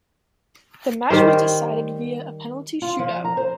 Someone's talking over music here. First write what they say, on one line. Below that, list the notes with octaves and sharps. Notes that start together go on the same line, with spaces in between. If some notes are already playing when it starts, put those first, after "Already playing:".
The match was decided via a penalty shoot out.
D#3 G3 C5
F4
F3
A#5
C5